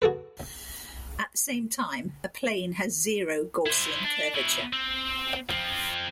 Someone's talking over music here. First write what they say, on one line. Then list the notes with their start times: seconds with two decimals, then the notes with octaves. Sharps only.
At the same time, a plane has zero Gaussian curvature.
0.02 F#4 G#4 A4 B4
3.66 E4 C5
4.04 D4
4.35 B2 E4
4.73 C4
5.50 F3 C4